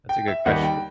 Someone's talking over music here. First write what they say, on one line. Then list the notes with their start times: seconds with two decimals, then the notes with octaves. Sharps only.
That's a good question.
0.09 G5
0.28 E5
0.46 D#2 D#3 G3 F#5
0.63 G5